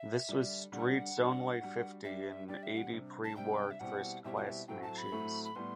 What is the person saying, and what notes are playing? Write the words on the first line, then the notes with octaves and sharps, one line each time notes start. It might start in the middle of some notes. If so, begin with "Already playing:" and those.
This was Street's only fifty in eighty pre-war first-class matches.
Already playing: E5
D3 G3 D4
D3 G3 D4 F#5
G3 D4 F#4
G3 D4 F#4
G3 D4 G4 E5
G3 D4 G4 D5
E5
F#5
C3 G3 D4
A5
C3 G3 D4 G5
E5
B2 G3 C4 E4 G4 F#5
B2 G3 C4 E4 G4 E5
F#5
E5
A2 F#3 A3 C4 G5
A5
B5
A2 F#3 A3 C4
B5
A2 G3 B3 C6